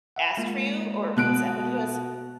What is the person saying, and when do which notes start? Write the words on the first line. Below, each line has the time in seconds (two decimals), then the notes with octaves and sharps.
asked for you? Or was that what it was?
0.16 E5 F#5
0.37 G#3 A#3 F4
1.16 B2 F#6 D7